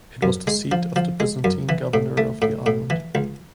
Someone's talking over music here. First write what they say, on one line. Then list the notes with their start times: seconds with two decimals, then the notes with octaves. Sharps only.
It was the seat of the Byzantine governor of the island.
0.23 F#2
0.47 G#3
0.72 F3
0.96 F3
1.20 G#3
1.44 F#2
1.69 E3
1.94 A2
2.17 A3
2.42 A2
2.66 A2
2.90 E3
3.15 C#2